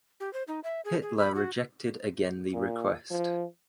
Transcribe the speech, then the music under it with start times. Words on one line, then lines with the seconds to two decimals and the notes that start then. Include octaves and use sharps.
Hitler rejected again the request.
0.20 G4
0.33 C5
0.48 D#4
0.64 E5
0.85 G#4
1.02 G#4
1.19 B5
1.35 F#4
2.54 A#2
3.10 F3